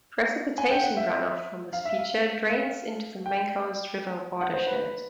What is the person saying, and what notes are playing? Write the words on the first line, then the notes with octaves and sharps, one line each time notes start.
Precipitation runoff from this feature drains into the Mancos River watershed.
G#5
G5
F#5
E5
F5
E5
F5
F5
G5
F#5
C5
B4